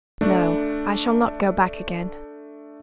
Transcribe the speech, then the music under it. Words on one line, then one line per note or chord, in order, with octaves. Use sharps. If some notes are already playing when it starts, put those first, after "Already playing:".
"No; I shall not go back again."
A3 D4